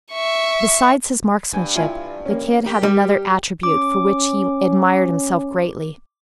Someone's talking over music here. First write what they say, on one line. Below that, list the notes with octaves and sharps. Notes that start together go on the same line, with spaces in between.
Besides his marksmanship the Kid had another attribute for which he admired himself greatly.
E5 C#6
G2 G#5
E4 F4 G#5
A#3 C#4
G4 A#4
G3
C#4 D6